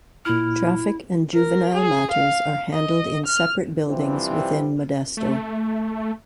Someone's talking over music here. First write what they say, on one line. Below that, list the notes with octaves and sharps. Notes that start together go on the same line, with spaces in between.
Traffic and Juvenile matters are handled in separate buildings within Modesto.
A#2 E4 F6
A#4
G#4
F5
D#5
F6
C3 E3 F3 G3 C4
A3